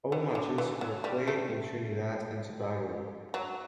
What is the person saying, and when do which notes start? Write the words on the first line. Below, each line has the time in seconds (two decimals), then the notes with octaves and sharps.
All matches were played in Trinidad and Tobago.
0.12 E3
0.35 D3
0.58 E3
0.81 F#3
1.04 G3
1.27 A3
3.34 F#3